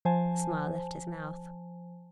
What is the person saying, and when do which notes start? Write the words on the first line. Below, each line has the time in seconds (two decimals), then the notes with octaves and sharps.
The smile left his mouth.
0.05 F3 C5 G#5 A5